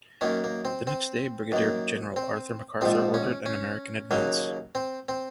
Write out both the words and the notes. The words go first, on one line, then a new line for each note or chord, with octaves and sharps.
The next day, Brigadier General Arthur MacArthur ordered an American advance.
F#2 D#3 A#3 C#4
A#3
C4
C4
F#2 D#3 A#3
C4
A#1 G#2 F3 C4
C#4
C#4
D#2 C#3 F#3 A#3
C4
C4